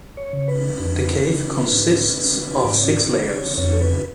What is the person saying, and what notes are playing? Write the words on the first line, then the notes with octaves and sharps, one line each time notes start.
The cave consists of six layers.
C#5
C#3
B4
F2
C#3
G#2
G#2 D5
C#5
D5
D5
C#5
F2 C#5
A4
B4